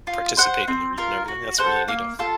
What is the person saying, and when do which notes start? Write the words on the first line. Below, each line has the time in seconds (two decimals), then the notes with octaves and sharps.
Participate in the wreath and everything, that's really neato.
0.07 F4
0.37 C5 F#5
0.68 C4
0.98 F4 A#4
1.28 F#4
1.58 A4 C5 F#5
1.88 A#3
2.19 F4 A4